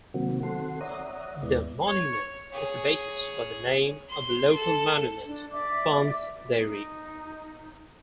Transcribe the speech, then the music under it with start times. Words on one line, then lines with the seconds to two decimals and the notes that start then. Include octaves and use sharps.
The monument is the basis for the name of the local Monument Farms Dairy.
0.14 C3 D#3 F#3 A#3 C4 F#4
0.43 D#3 C4 F#4 A4 F#5 C6
0.81 C#5 D5 E5 F#5 A#5 D#6
1.43 D#2 G#3 B3 E4 D5
1.87 C#5
2.52 G#4 C#5
4.10 C6
4.56 A4
5.25 D4
5.52 D5 E5 D6
6.53 D#4